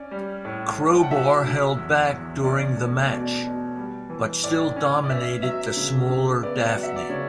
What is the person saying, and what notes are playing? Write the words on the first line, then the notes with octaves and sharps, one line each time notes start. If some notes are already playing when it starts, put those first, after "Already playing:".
Crowbar held back during the match, but still dominated the smaller Daffney.
Already playing: C#4 D5
G3
A2
A2
A5
G5
F#5
F#3 E5
D3
E2
E2
C#4 D5
A3
B2 D5
B2
G3
E3
A2 D5
C#4
D5
B3 E5
F#3 E5
C#3
C#3
B3 D5
F#5
F#3
E5
D5
C#3 C#5